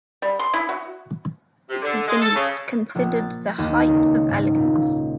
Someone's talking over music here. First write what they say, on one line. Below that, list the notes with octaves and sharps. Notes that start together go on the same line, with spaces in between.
It has been considered the height of elegance.
G3
C6
E4
F#4
C3
D3
G#3
A4
C#3
A#1
A6
D#2
C#2
G#2
A#2